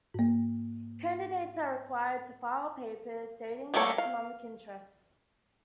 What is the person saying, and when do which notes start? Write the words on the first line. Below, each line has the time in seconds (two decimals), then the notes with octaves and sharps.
Candidates are required to file papers stating their economic interests.
0.14 G#2 A#3
3.74 G3 A3 A#3 A4 C#5
3.98 F5